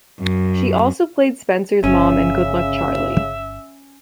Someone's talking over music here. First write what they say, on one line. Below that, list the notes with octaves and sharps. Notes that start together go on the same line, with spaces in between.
She also played Spencer's mom in "Good Luck Charlie".
F#2
G1 C#3 C#4 E5